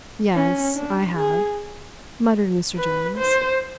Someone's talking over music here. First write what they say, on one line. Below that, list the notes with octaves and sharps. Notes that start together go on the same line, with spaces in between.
"Yes, I have," muttered Mr. Jones.
C#4
D4
G#4
B4
C5